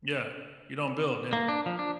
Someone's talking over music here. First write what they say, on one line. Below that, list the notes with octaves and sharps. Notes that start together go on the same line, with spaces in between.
Yeah, you don't build, yeah.
A#3
D4
F3
D4